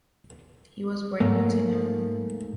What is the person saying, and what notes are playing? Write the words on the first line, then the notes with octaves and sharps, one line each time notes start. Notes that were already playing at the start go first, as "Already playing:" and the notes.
He was born in Nottingham.
G#2 A3 A#3